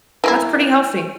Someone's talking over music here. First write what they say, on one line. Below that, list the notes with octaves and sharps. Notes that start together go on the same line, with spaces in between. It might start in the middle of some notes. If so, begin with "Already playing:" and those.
that's pretty healthy.
E3 A#3 E4